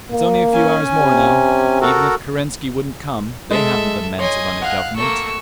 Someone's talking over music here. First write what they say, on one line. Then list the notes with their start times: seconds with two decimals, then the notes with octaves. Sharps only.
It's only a few hours more, now. Even if Kerensky wouldn't come they haven't the men to run a Government.
0.12 A#3
0.53 C#4 G#5
0.99 C3
1.81 F#4 A4 A#4
3.51 G#3 A4 E5
4.19 C#5 D#5 G#5 C6
4.62 F5 F#5 F#6
4.96 A3 A#3 C#6 E6